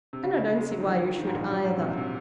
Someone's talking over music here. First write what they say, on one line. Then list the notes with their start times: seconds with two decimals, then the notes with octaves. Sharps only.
And I don't see why you should, either.
0.13 C3
0.23 C#3
0.38 C#3
0.55 G#3
0.71 F#3
0.80 D#3
0.87 F3
1.02 F3
1.18 D#3
1.27 G#2
1.34 A#2
1.50 F#3
1.65 G#2
1.77 C3
1.82 A#2
1.97 C3